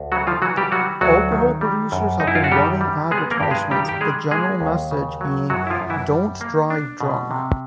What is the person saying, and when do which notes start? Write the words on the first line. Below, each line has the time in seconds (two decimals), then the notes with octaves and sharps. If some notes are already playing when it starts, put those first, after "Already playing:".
Alcohol producers have been running advertisements with the general message being "don't drive drunk".
Already playing: D2
0.12 C#3 F#3 F#4
0.27 F3 F4
0.42 E3 F#3 F#4
0.57 G3 G4
0.72 F#3 G3 F#4
1.01 D2 F#3 F#4
1.32 D#3
1.61 G3
1.92 F#2
2.20 F#2 D#4
2.27 E4
2.35 F4
2.44 F#4
2.51 D#3 G3 G4
2.81 G3
3.11 G#3 B3 G#4
3.31 A#3 A#4
3.41 G2 G4
3.51 G#3 G#4
3.70 D#3 G3 G4
3.89 G4
4.01 G3 G#3 G#4
4.31 G#3 A#3 G#4
4.61 D#2
4.91 C#3
5.21 F#3
5.50 F#2 F#3 F#4
5.67 E4
5.70 F3 F4
5.81 F#2
5.90 E3 E4
6.11 G3
6.41 A#3
6.70 D4
7.00 B2
7.31 C3